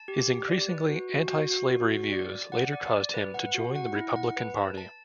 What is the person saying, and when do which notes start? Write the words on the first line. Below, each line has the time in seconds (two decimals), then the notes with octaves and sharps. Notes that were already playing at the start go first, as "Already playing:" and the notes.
His increasingly antislavery views later caused him to join the Republican Party.
Already playing: A5
0.08 G4
0.27 G4
0.48 D5
0.69 B4
0.89 F#4
1.09 F#4
1.30 F#4
1.50 F#4
1.71 F#4
1.91 F#4
2.12 D5
2.32 D5
2.52 F#5
2.73 D5
2.93 D5
3.14 B4
3.34 F#5
3.55 F#4
3.76 F#5
3.95 E4
4.16 F#5
4.36 B4
4.57 A5
4.78 A5